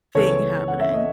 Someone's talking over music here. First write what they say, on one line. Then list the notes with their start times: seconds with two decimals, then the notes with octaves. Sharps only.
thing happening.
0.15 C#2 C#3 E3 B3 A4 C#5
0.68 F#5
0.80 E5
0.93 D#5